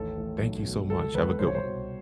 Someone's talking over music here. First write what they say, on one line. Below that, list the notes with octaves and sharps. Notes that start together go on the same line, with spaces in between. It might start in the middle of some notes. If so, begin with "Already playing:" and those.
Thank you so much. Have a good one.
Already playing: A1 D#2 A4
A1
B1
B2
C#2 A4
C#2 B4
C2 C5
C#5
C5
B2